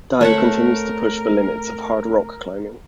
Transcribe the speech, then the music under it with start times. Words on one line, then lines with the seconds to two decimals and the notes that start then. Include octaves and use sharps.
Dai continues to push the limits of hard rock climbing.
0.21 A3 C4 A#4 C#5 E5 F#5